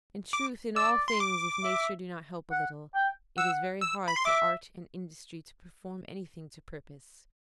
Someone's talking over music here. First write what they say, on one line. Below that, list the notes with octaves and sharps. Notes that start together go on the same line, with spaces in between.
In truth, in all things, if nature do not help a little, it is very hard for art and industry to perform anything to purpose.
D6
D5 E6
C6
D6
E5
F#5
G5
F#5 E6
E6
B5
C6
E5 D6